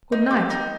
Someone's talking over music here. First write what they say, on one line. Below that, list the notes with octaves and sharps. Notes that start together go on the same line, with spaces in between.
Good night!
D#4
G4
D#4